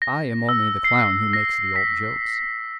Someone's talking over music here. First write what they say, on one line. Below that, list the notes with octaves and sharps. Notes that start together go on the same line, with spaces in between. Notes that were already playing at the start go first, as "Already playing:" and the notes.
"I am only the clown who makes the old jokes."
A#6
E6
C7
A#6
B6